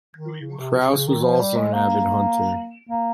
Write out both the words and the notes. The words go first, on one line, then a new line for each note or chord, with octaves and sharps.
Prowse was also an avid hunter.
D#3
C#3
C3
C3
C#3
D#3
F3
G3
G#3
A#3
A#3